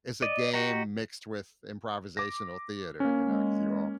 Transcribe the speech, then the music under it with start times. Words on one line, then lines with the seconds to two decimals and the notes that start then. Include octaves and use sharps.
it's a game mixed with improvisational theater, you know, 'cause you all
0.22 D5 D#5
0.54 F#4 G4 D#5 A#5
2.17 D6 A#6
3.00 A#3 C#4
3.24 G#3